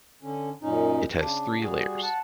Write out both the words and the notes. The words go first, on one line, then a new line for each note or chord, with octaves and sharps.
It has three layers.
D3 C#4
F#2 A#2 C#4 D#4
C#3 D4
G3 F#4 G#4
F#5 A5